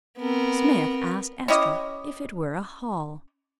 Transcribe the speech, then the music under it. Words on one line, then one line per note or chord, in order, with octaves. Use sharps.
Smith asked Estra if it were a hall.
B3 C4 A#4
C#4 E4 G4 D#5